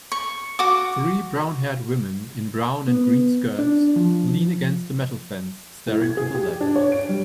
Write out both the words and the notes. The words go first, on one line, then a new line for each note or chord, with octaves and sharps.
Three brownhaired women in brown and green skirts lean against a metal fence staring to the left.
C#6
F#4 D6
B3
D4
F3
A2
G#6
G#4
G4
D4
C#5
D7
G3